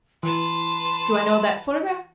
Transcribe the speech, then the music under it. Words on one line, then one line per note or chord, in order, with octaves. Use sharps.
Do I know that photograph?
E3 B4 A5 C6